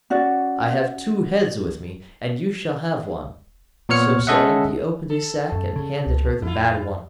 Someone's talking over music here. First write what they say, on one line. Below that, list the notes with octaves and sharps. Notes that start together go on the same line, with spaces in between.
'I have two heads with me, and you shall have one.' So saying, he opened his sack, and handed her the bad one.
C#4 F#4 D5
A#2 B3 C#5 F6 C#7
G#3 C#4 A4 D#5 E5 F#5
A4
F#2
C#3
C#2
F2 E4 F4